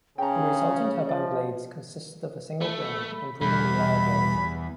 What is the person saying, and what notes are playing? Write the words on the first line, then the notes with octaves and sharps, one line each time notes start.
The resulting turbine blades consisted of a single grain, improving reliability.
C#3 C#4 G#4 G5 A#5
F3 D5
A3 B5
E2 B2 G3 B5